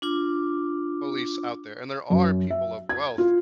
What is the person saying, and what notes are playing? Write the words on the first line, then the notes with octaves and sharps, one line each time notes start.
police out there, and there are people of wealth
D4 F4 D6
F#2
E5
G#6
F4